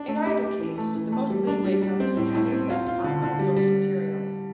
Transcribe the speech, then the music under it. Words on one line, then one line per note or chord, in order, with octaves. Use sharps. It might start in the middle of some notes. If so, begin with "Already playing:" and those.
In either case, the most leeway comes with having the best possible source material.
Already playing: D4
A3
G4
G4
E3
A3
E3
A3
G3
D4
G3
G3
C4
A2
A2
C4
F4
F4
D3
D3
G3
G3